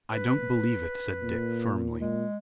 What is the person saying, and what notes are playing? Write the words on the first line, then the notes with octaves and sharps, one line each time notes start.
"I don't believe it," said Dick, firmly.
B4
A#2
A#2 G#3